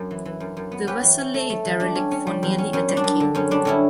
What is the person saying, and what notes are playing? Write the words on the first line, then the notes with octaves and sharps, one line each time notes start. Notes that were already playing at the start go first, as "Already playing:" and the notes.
The vessel lay derelict for nearly a decade.
Already playing: F#2
E3
E3
F#2
F#2
B3
C#4 G4 B4
E3
C#4
A3
A3
E3
G3 D4
C#4
C#4
G3
E2
C#4
F#2 C#4
G3
D4
F#2
D3
F#2 C#4
G3 D4
D3 C#4 E4